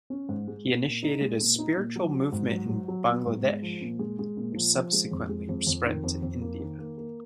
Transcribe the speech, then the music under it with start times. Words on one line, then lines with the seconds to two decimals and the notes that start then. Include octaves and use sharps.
He initiated a spiritual movement in Bangladesh which subsequently spread to India.
0.10 C#4
0.29 G#2
0.48 G#3
0.65 A#2
0.84 A#2
1.03 D#4
1.21 G#3
1.40 A#2
1.58 D#4
1.76 A#2
1.96 F#3
2.14 F#3
2.32 G#2
2.51 F#3
2.69 F#3
2.88 F#3
3.07 B3
3.25 G#2
3.45 G#3
3.62 F3
3.81 A#2
3.99 G#3
4.19 G#3
4.37 A#2
4.55 F3
4.74 F3
4.93 G#3
5.11 F2
5.29 G#3
5.49 F2
5.67 F2
5.86 D#3
6.04 F2
6.22 F2
6.41 A#3
6.60 D#3
6.79 A#3
6.97 A#3